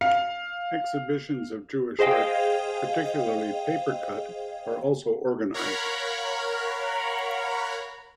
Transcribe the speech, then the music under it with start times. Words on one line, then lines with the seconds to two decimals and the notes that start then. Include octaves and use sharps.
Exhibitions of Jewish art, particularly paper-cut, are also organized.
0.01 F5
1.99 G#4 C5 D#5 F5 G5
5.54 A#4 C#5 F5 F#5 A#5 B5